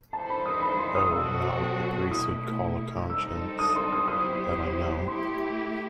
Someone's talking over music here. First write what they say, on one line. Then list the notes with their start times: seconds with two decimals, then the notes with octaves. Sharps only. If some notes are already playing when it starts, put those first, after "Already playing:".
Oh, not what the priests would call a conscience; that I know.
0.13 E3 G3 D#4 A4 C5 A5
0.30 B5
0.46 D#6
0.62 B5
0.79 C6
0.95 D#6
1.12 B2 F#3 C4 F#4 A4 E6
2.11 B2 A3 E4 D#6
3.10 G3 C4 D#4 A4 E6
3.59 D#6
3.76 C6
3.93 D#6
4.08 F#3 B3 E4 G4 C5 D#6
5.07 A3 E4 G4 C6